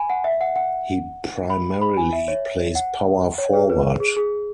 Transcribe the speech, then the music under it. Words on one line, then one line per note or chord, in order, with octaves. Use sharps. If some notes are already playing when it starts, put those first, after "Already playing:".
He primarily plays power forward.
Already playing: G#5 B5
F#5
E5
F#5
F#5
B5
B5
G#5
E5
C#5
F#5
C#5
G#4
B4
G#4
G#4